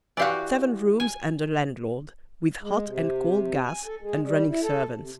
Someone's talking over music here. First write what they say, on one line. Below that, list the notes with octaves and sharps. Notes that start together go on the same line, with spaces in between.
Seven rooms and a landlord, with hot and cold gas and running servants.
E3 F#4 G4 D5 F5
G#5
G#3
C3
G#5
A4
G#3
G3
E4
A4
C3